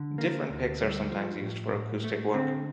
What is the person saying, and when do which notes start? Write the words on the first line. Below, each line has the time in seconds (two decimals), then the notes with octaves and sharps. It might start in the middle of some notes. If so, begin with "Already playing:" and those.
Different picks are sometimes used for acoustic work.
Already playing: D3
0.18 A#3
0.49 D2
0.80 G3
1.10 F3
1.41 A2
1.73 A2
2.04 A3
2.34 D3 C4